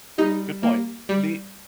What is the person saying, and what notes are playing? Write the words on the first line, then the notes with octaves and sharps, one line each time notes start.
good point. The
G3 D#4
A#3
G3